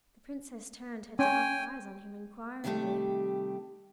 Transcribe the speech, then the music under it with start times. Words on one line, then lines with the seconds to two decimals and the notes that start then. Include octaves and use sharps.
The Princess turned her dark eyes on him inquiringly.
1.19 C#4 G5 G#5
2.64 C3 D#3 F#3 G3 A3 G4